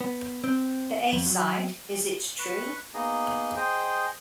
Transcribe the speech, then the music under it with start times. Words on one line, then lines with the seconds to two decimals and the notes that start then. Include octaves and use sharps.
The A-side Is It True?
0.01 B3
0.44 C4
1.13 F2
1.26 F#3
2.39 B4 C#6
2.94 A#3 B3 D#4 G#4 D#5
3.57 G#4 C5 D#5 G5